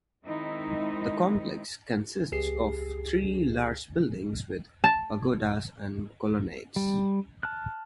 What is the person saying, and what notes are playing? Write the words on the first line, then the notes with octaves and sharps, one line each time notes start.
The complex consists of three large buildings with pagodas and colonnades.
D#3 G#3 C4 D#4 E4
C#2 G4 G#4 C7
A5
G3
A5 F6 F#6